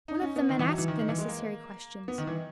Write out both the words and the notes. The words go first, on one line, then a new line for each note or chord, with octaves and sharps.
One of the men asked the necessary questions.
D#4
C#4
B3
D#3
E3
F#3
E3
D#3
D#3
E3
G#3
A#3
B3
D#3
E3